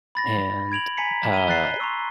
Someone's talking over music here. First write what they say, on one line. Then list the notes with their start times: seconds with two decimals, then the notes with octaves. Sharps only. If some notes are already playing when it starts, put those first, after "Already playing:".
and, uh
0.15 B5 A6 A#6
0.72 G#6 D7 F7 F#7
0.97 G#5 A#5 B6 C#7
1.34 D#7 G7
1.49 F#6 A6 C7
1.80 A#5 C6 C#6 E6